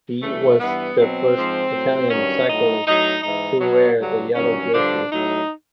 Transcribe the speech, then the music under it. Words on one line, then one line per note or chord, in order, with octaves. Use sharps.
He was the first Italian cyclist to wear the yellow jersey.
G2 E3 A3
G2 E3 B3
B2 F#3 C4
G#2 F3
A2 F#3
G2 D#3 F#3 C#4
A2 F#3 D#4
A2 F#3 D#4
G#2 E3 D#4
B2 F#3
G2 D3 F#3
G2 D#3 F#3 C#4
G2 D3 F3 D4
A2 F#3 D#4